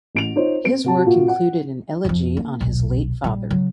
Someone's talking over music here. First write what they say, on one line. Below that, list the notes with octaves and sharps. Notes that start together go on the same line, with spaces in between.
His work included an elegy on his late father.
A1 D7 F7
D#4 F4 C5 C#5
C4 D7
C3 F#4 A5
A#2 F4 F#4
F#5
F2 F3
A#3
D#1 B1
A#1 G3
C#3 F#3